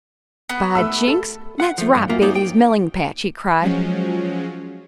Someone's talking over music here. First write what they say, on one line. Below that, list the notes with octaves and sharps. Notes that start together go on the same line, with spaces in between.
"By jinks, let's rob Brayley's melling-patch!" he cried.
B3
A3 B5 E6
A4
F#5
F3 A3
G2
F#2 A#3 F4 E5
F#2 A#3 D#4 C#5 D5
G5
F3 F#3 G#3 C#4